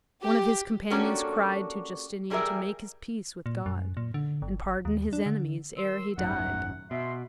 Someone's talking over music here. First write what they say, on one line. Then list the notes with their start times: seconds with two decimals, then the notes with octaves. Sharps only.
One of his companions cried to Justinian to make his peace with God, and pardon his enemies ere he died.
0.22 G4
0.90 A#3 C#4 D4 F#4 G4 A4
2.30 E3 G3 G#4 A#4 E5
3.46 A#2
3.66 F#2
3.97 A#2
4.14 D3
4.42 G1
4.85 D#2
5.13 D4
5.26 D3
5.77 D#3 C6 E6
6.18 D#1 G#1 F#2 A3 D#4 F#5
6.91 B2 E5 C6